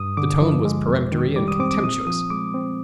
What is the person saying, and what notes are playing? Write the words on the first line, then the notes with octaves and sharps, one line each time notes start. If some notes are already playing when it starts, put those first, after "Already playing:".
The tone was peremptory and contemptuous.
Already playing: G2 D#6
D3 D6
F3
G#3
F2
D#3
G3 D6
D#6
C4 D6
D6
A#2 D#6
F3 D#6
G#3 D6
C4